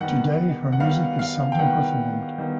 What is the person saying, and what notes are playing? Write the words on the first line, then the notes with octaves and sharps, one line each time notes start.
Today her music is seldom performed.
D#3 G3 B3 F#5
F#5
D#3 G3 B3 F5
F5
G5
D#3 G3 B3 F#5
D#3 G3 B3